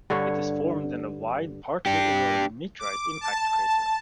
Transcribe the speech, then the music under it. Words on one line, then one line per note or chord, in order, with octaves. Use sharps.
It is formed in a wide, partly eroded meteorite impact crater.
G2 D3 C#5
D4 G4
D6
A5